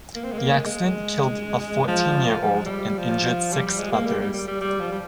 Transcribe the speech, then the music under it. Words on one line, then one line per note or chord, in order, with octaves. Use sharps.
The accident killed a fourteen-year-old and injured six others.
A#3
C4
G#3
A#3
G#3
G#3
F3
G3
G#3
G3
F3
G3
G3
G#3
A#3
G3
G3
G3
G3
G3
F3
G3